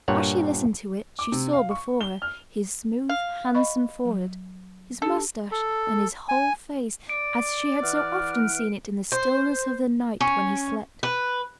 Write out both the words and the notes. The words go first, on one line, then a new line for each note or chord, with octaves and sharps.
As she listened to it she saw before her his smooth handsome forehead, his mustache, and his whole face, as she had so often seen it in the stillness of the night when he slept.
G2 A#2 C#5 F#5
D6
C3
F5
C#6
G7
F6
F5
D#5 B5 C#6
F#3
D4 G4 A4
A4
G#5
D5 D7
E3 F#5 F6
C5
C#4
B4